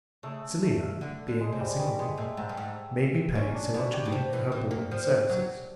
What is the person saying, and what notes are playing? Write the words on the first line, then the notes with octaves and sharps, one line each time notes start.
Selina, being a single woman, made me pay so much a week for her board and services.
C#3 A3
A3
D3
D3
G#3
C3
G3
B2 G3
B2 G#3
A#2 A3
G#2 C4
G2
G#2
A#2 C#4
D4
B2 F#4
G4
B2
C3
E3
E3
A#3
F3
F#3